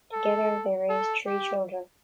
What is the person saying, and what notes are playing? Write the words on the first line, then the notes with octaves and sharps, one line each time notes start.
Together, they raised three children.
A4
A4
G4